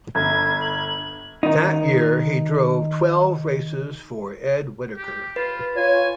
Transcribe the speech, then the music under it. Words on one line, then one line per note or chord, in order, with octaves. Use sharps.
That year, he drove twelve races for Ed Whitaker.
G1 G#6
F#7
D#3 D#4
G4
F4 B4
F4 C#5 G#5